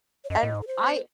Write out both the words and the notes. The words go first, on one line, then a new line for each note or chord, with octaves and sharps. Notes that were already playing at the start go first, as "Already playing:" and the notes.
And I
C#5
F#2 D#5
A2
G#2
A4
C5